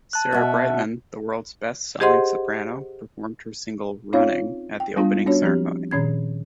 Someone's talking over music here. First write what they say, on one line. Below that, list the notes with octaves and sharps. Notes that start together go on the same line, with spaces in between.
Sarah Brightman, the world's best-selling soprano, performed her single "Running" at the opening ceremony.
A5 F#6
B2 E5
G4 G#4 C5 D#5 F#5 C6
C4 C#4 D#4 F4 C#5 F5
G5
G3 B3 D4 F4
B3 C#4 D4 F#4 C#5
F3 C4 G4
A#2 D#3 C#4 G#6